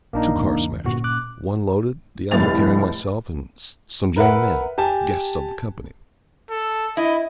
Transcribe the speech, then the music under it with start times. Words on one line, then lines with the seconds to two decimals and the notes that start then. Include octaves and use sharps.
Two cars smashed, one loaded the other carrying myself and some young men, guests of the company.
0.13 A#1 A#3 D4 D#4
0.35 E2 G#2 C#3
0.85 G1 A#2 A#3 C#4 F#4
1.04 D6 F#6
2.31 F1 C2 A2 A6 F7
4.16 A#4 B4 E5 F#5
4.78 G4 G#5 A5
6.50 A4
6.97 E4 D#5